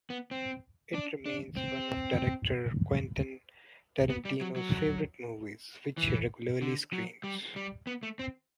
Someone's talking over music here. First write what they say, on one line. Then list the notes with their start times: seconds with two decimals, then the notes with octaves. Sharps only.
It remains one of director Quentin Tarantino's favorite movies, which he regularly screens.
0.10 B3
0.31 C4
0.94 D4
1.26 D4
1.57 C4
4.10 B3
4.25 G3
4.41 F#3
4.56 F#3
5.98 E3
6.62 D3
6.93 F#3
7.24 G3
7.56 G3
7.87 B3
8.03 A3
8.19 C4